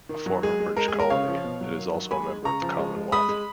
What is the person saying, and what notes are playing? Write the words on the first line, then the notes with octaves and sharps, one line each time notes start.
A former British colony, it is also a member of the Commonwealth.
D#3
F#3
G#3 G#4
G#3
G#3 A#4
G#4
G#3
A#4
C#3 C#5 F5
F3
B2
F#3
D#3
F#3
G#3 G#5 B5
G#3
C#3 A#5 C#6
F3
G#3
G#3
G#3 B5 D#6
G#3